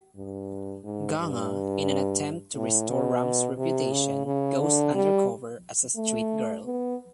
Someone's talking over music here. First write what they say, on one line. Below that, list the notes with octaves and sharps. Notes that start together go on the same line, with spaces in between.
Ganga, in an attempt to restore Ram's reputation, goes undercover as a street-girl.
G2
G#2
G2
A2
B2
C3
C#3
C#3
D3
G3
A3
B3